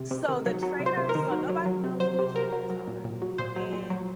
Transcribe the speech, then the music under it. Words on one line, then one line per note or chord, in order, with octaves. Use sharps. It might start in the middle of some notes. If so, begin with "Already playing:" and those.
So the traitors so nobody knows who the traitors are, and
Already playing: C3
C3
D#3
F#3
F#3
C3
C5
C3
A#4
D#3
F#3
F#3
F#3
C3
F#3 C5
C3
F#3 A#4
F#3
F#3
A#2
A#2
F#3
A#2 C5
F#3
A#2
F#3